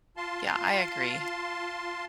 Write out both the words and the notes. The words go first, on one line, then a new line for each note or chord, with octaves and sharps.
Yeah, I agree.
F4 A5 C6